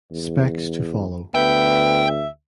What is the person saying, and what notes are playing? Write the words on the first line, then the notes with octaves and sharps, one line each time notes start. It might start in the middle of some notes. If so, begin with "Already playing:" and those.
Specs to follow.
E2
D2 B3 E5 G5